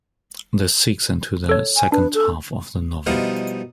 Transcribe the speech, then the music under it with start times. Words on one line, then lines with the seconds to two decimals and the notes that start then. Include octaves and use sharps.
This segues into the second half of the novel.
1.49 A4 C#5
1.77 G#5
1.92 D4 B4
2.14 A4
3.06 B2 F3 G3 D#4 E4 A#4